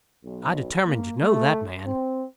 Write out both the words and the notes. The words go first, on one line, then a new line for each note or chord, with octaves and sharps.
I determined to know that man.
B1
A#3
A3
C4